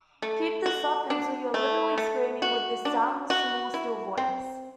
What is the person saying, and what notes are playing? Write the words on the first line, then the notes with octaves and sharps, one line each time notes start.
Keep this up until you are literally screaming with this soundless small still voice.
A3
F#4
D4
A3
A3
F#4
D4
F#4
E4
C4